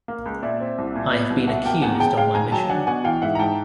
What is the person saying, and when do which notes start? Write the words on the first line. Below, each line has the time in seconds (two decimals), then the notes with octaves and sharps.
I have been accused on my mission.
0.08 A#3
0.26 C#2
0.43 A#2 D5 E5
0.60 C4
0.78 C2
0.95 A#2
1.13 B3
1.30 C2
1.48 B2 E5 F#5
1.65 A#3 G5 A5
1.82 E2 F#5 G#5
1.95 A#5
2.00 C#3 G5 A5
2.17 G#3 F5 G5
2.35 D#2 G#5 A#5
2.52 F#3 G5 A5
2.69 D4 F#5 G#5
2.87 B2 F#5 G#5
3.04 E3 F5 G5
3.22 G#2 E5 F#5
3.35 A#5
3.39 G#2 G5 A5